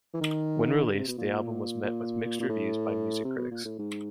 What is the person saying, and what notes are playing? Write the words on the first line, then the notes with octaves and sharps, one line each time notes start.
When released, the album was met with mixed reviews by music critics.
E3
D#3
D3
C#3
C3
B2
A#2
A#2
A#2
A2
C3
B2
A#2
A2
G#2